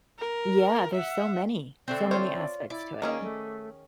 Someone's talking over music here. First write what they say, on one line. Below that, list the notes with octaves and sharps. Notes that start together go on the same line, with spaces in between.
Yeah, there's so many. So many aspects to it.
A#4
E5 F#5
D3 A3 C4 D5
F4 C5 C#5
E4 D5
D#3 A#3 C#4 G#4
A3